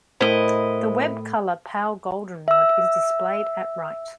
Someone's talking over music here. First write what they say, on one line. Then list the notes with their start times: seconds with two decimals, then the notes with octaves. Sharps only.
The web color pale goldenrod is displayed at right.
0.21 A2 E4 A#4 C5 D#5
2.48 E5 E6